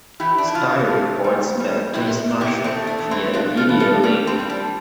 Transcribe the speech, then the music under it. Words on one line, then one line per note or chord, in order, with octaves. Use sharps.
Styre reports back to his Marshal via a video link.
E3 E4 G4
D4
E4
C3 D4 F4
A3
G3
G3
C3 E4 G4
C3
E4 G4
A3 C4
D4
E2
C4 E4
C4 D4 F4
F4 A4
E3
F4 A4
G3 D4
C4
G3
D4